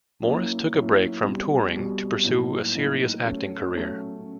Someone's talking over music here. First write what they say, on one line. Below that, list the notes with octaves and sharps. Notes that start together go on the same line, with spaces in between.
Morris took a break from touring to pursue a serious acting career.
F#3 A#3 C#4 E4
F#3 A#3 C#4 E4
B2 G3 C4
B2 G3 C4
A2 F#3 A#3 D#4
A2 F#3 A#3 D#4
F#3 A3 C#4
F#3 A3 C#4